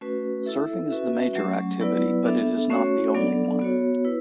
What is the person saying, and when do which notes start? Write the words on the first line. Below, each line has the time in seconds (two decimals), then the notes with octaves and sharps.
Surfing is the major activity but it is not the only one.
0.01 A3 C#4 F#4 B4
0.46 E4 A4 E5
0.90 C#4 F#4 B4 E5
1.36 F#3 A3 C#4
1.80 F#3 B3 E4 B4 D5
2.25 B3 D4 A4 E5
2.70 A3 C#4 F#4 C#5
3.15 F#3 B3 D4 A4 D5
3.59 B3 F#4 C#5
4.05 E4 B4